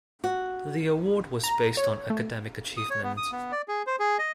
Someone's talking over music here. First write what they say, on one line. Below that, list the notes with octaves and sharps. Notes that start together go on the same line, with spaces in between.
The award was based on academic achievement.
F#4
A#5
C#5
A3
D#6
C#5
B3
D#6
B3
D5
G#4
C5
G#4
D#5